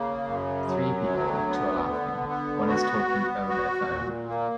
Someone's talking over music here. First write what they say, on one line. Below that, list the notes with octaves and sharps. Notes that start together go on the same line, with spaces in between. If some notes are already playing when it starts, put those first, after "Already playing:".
Three people, two are laughing, one is talking own a phone.
Already playing: C#3 A#3
F#2
F#3
D2
B3
D3
B3
F#4
B3
F#4
A#2
A#3